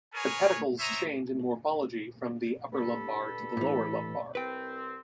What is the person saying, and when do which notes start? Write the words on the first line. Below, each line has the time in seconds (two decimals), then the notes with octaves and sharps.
The pedicles change in morphology from the upper lumbar to the lower lumbar.
0.13 G#4 A#4 B4 C#5 G#5
0.79 C5 C#5 D#5 E5 G#5 A#5
2.73 G2 A4 B5
3.57 A2 E3
4.35 C2 C4 B4 G5